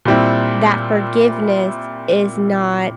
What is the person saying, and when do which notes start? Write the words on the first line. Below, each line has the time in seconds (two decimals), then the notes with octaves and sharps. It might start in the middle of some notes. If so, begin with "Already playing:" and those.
that forgiveness is not
0.05 A#2 G3 C4 E4